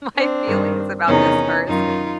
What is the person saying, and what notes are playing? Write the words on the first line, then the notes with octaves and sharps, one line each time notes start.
my feelings about this first,"
C4 D4
G2 D#3
E2 C3 D#3 C#4 D#4
F#2 D#3 D#4 F4